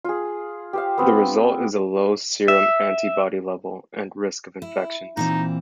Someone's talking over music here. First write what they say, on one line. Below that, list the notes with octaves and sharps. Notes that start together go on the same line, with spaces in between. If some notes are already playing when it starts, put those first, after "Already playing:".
The result is a low serum antibody level and risk of infections.
F4 G#4
G4 C5 F5
B3 C4 C5
E5
E4
A#2 E3 C4 D#4